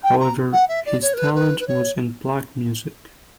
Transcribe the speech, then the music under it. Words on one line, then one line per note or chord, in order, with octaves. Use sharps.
However, his talent was in black music.
G5
A#5
F#5
E5
D5
C#5
A#4
B4
B4
B4
C#5